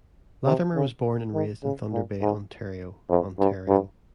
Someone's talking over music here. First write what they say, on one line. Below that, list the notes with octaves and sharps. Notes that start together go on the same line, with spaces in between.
Latimer was born and raised in Thunder Bay, Ontario, Ontario.
C3
C#3
D#3
C#3
A#2
G#2
F2
G2
G2